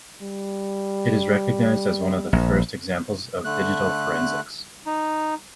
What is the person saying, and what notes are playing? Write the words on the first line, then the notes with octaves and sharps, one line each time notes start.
It is recognized as one of the first examples of digital forensics.
G3
A#1
D3 A3 F#6
D#4